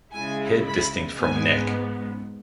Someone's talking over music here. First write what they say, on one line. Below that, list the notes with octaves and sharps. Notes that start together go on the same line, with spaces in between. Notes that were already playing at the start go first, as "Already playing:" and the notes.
Head distinct from neck.
C#3 G#3 E4 G#5
B5
G#2 G#3 B3 G#5